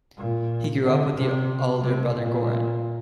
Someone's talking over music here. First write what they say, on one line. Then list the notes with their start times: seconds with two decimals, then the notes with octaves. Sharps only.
He grew up with the older brother Goran.
0.17 A#2
0.84 D3
1.16 C3
1.81 C3
2.14 A#2